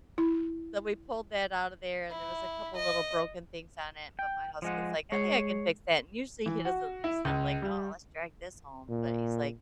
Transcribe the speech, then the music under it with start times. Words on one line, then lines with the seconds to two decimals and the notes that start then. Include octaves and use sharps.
so we pulled that out of there and there was a couple little broken things on it, but my husband's like, "I think I can fix that." And usually, he doesn't he's not like, "Oh, let's drag this home." But he's like,
0.18 E4
2.10 E4
2.76 D#5
4.19 G5
4.62 F3 G#3 F#5
5.12 G#3 G#4 C#5 C7
6.46 E3
6.65 F#4
7.04 E4
7.25 C#2
7.62 G3
8.89 A#2